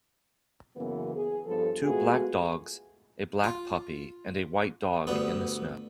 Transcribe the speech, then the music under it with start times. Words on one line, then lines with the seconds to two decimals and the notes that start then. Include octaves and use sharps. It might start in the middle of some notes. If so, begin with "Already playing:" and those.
Two black dogs, a black puppy, and a white dog in the snow.
0.77 F#2 C#3 E3 A#3 B3
1.15 G#4
1.45 G2 F3 B3 A4
1.84 G#3 A3 B3 F4 F#4 G#4
3.44 F4
5.07 D2 G2 B3